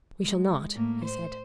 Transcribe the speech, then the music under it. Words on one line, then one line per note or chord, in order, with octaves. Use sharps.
"We shall not," he said.
G#3
A2 A#3
C5